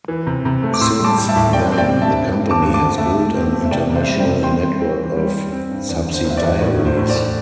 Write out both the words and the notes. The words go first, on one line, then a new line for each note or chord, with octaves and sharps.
Since then the company has built an international network of subsidiaries.
E3
C3
C3
A3
D6
A2 C6 E6
G3
A5 D6
G3
E5 A5
A2
C4 D5 G5
C4
D5 G5
C4
E5 A5
G2
G2
C4
A5 D6
G2
A5 D6
D3
A3 E5 A5
A3
C4
A3
E5
C3 D5 G5
C3
C5 E5
G3
D5 G5
C3
C4 G5 C6
G3
C4
E3
G3
G3
C4
G2
E2 D5
D3
C5
E2
E5
D5
E2
A2 D5
A2
C5
A2
D5
A2